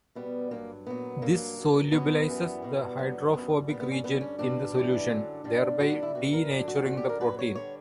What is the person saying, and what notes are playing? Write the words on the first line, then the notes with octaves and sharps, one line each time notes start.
This solubilises the hydrophobic region in the solution, thereby denaturing the protein.
B2 G3 B3
G2 F#3 A#3
A#2 F#3 B3
G2 F#3 A#3
G2 F#3
B2 F#3 B3
F#2 E3 G3
B2 G3
G2 D3 F#3
F#2 D3 G3 B3
A#2 G3 B3
B3
C#4
G2 D3 G3 B3
C#4
B2 G3 D4
E2 C#3 E3 G3
F#2 D3 F#3
G2 D3 G3
A#2 G3 F#4
D4
E4
B2 G3 F#4
A#4
F#2 D3 F#3 D4
F#4
F#2 D3 G3 F#4
G4
A#4
A#2 F#3 B4
C#5
D3 G3 C#5